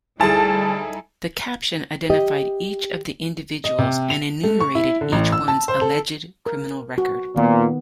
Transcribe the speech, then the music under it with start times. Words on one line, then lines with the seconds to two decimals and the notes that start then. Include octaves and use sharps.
The caption identified each of the individuals and enumerated each one's alleged criminal record.
0.20 D2 G3 D#4 E4 G#4 A4 A5
2.10 G4 D#5
3.64 D#5
3.78 C3
4.10 F7
4.43 A3
4.60 C#6
4.75 E4
5.01 D3
5.12 A1
5.32 E6
5.48 A5
5.68 C5
5.81 A4
6.46 A#4
6.98 F#4
7.36 A#2 D#3 B3